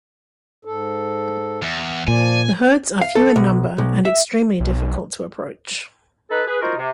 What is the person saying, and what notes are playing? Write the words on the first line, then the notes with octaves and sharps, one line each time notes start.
The herds are few in number and extremely difficult to approach.
G#2 A4
E2
A#2 F3 D5 G#5
F5
A4
B1
B1
E5
B1
D#4 A4 B4
G#4 B4
D#4 F4 F#4 A#4 C5
C3